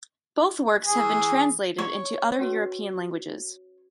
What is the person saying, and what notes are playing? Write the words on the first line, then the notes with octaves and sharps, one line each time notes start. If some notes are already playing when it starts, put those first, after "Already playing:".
Both works have been translated into other European languages.
E3 G#4
C#5
C#4 F#4 B4